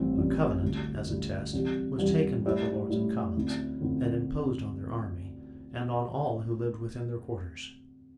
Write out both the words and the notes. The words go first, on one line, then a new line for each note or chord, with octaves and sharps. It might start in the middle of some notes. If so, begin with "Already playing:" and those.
A covenant, as a test, was taken by the lords and commons, and imposed on their army, and on all who lived within their quarters.
Already playing: A1 G2 E3 G3 C4
A1 G2 E3 G3 C4
D2 D3 G3 E4
D2 D3 G3 E4
C2 C3 E3 G3
C2 C3 E3 G3
A2 G3 E4
A2 G3 E4
D2 D3 C4 E4
D2 D3 C4 E4